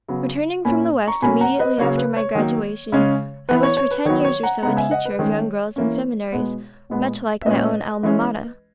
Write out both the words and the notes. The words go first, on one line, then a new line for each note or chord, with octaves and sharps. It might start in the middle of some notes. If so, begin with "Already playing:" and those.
Returning from the West immediately after my graduation, I was for ten years or so a teacher of young girls in seminaries much like my own Alma Mater.
C#3 F#3 B3
A#2 A#3 C#4 G#5 B5
A#5 C#6
B2 F#3 A#3 C#4 G#5 B5
F#5 A#5
B4 D#5
C#3 F#3 A#3 C#5
B4
C#5
D#3 F#3 A#3
C#3 G#3 C#4
E3 B3 B4
C#5
C#5
B4
D#3 F#3 B3 C#5
C#5
F#5 A#5
C#3 G#3 B3 F#5 A#5
E5 G#5
D#5 F#5
B4
D#3 G#3 C#4 C#5
E3 A#3 C#4
B2 G#3 B3
A#2 G#3 B3
E5
A#2 G#3 C#4 B4 D#5
E3 G#3 C#4